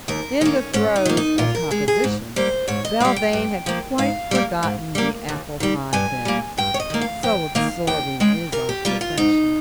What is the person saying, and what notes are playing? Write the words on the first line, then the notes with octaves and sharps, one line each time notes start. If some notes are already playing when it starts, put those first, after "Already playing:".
In the throes of composition Belvane had quite forgotten the apple-pie bed, so absorbing is our profession.
D#2 A#4
D#3 A#3 C#4
G#2 C#4
D#4
D#3 A#3
D#4
A#2 F4
A#4
G#3 G#4
G#4
G#2
G3 A#3 C5
G#2 C#5
D#5
G3 A#3 F5
G5
G2
F3 A#3
G#2 F5
G3 A#3
G#2
G3 A#3
D#2
D#3 G3
G2 G#5
G3 A#3
G2 G5
C#5
D#5
D#3 A#3
F5
F2 G5
D#3 A#3 F5
D#2 G5
C#3 G#3 G5
A#2 A#4
G4
G3 A#3 F4
F4
G#2 D#4